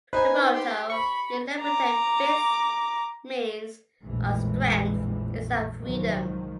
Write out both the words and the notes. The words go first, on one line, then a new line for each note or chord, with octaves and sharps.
The motto, "In Libertate Vis", means "Our Strength is our Freedom".
D#4 B4 C5 G#5
G4 C6
B5 C#6
A#5 D6
A#1 F2 A2 E3 G3 G#3
C2 G#2 D#3 F3 F#3